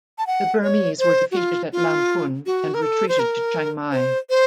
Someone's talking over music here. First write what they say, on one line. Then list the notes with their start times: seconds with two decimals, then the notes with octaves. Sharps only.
The Burmese were defeated at Lamphun and retreated to Chiang Mai.
0.18 A5
0.27 F#5
0.63 C#5
0.99 C5
1.31 F#4
1.37 F4
1.72 F4
2.46 F#4
2.74 A#4
2.82 A4
3.09 C5
3.19 A#4
3.92 C5
4.30 C5